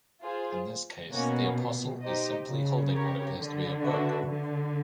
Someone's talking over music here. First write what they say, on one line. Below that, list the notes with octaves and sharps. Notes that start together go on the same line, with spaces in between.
In this case the apostle is simply holding what appears to be a book.
F4 G#4 C5
B2 A#3 C#4 F#4
D#4 G4 C5 D#5
C#3
G4 A#4 C#5
D3
D4 F#4 B4 E5
D3